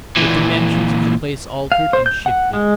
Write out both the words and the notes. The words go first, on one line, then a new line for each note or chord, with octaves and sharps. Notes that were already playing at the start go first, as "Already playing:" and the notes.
The dimensions of the place altered and shifted.
A#2 E3
F5
C5
G6
F#5
G#3